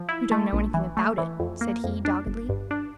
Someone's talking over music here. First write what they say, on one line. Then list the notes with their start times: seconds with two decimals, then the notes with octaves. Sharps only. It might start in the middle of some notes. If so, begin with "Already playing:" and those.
"You don't know anything about it," said he doggedly.
Already playing: F3
0.09 E4
0.31 A3
0.53 A#1
0.74 E3
0.97 A3
1.18 E3
1.40 F2
1.61 A#3
1.84 F2
2.05 D4
2.27 G1
2.49 G2
2.71 D4